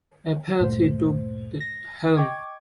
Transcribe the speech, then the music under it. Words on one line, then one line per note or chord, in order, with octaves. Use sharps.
Apathy Took Helm!
D2 G2 A#2 A3 C5
A#6
D#5 G5 C#6 D6 G#6